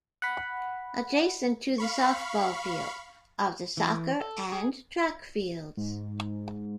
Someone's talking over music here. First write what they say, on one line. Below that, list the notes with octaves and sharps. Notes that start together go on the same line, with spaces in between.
Adjacent to the softball field are the soccer and track fields.
F#5 B5
F5 B5 C#6
E3
A4
G#4
G#2